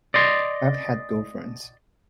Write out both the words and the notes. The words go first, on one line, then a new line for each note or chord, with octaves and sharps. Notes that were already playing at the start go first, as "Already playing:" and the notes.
I've had girlfriends.
D5 D#5 C6